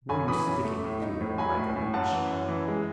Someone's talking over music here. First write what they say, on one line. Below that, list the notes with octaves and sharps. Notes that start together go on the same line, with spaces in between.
No use sticking to him like a leech.
F#2 G#5 B5
E3 B5 D#6
F#2
A3
A2
D#4
A2
F#3 G#5 B5
A2
A2
F#2 F#5 A5
E3
F#2
E3
G#3